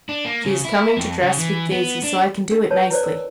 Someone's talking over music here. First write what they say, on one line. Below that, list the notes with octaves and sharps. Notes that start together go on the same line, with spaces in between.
She is coming to dress with Daisy, so I can do it nicely.'
D4
A#3
C#3
E4
F2
C#3
E3
B3
D4
D4 A#4
B4 C#5 A5
E4 B4 C5 D5
A#4